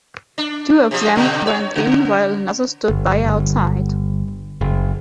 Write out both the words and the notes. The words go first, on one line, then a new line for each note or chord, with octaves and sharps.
Two of them went in while another stood by outside.
D4
C3 F3 G3
G2 B2 D3
C#5
C#3
G1
G1
F#1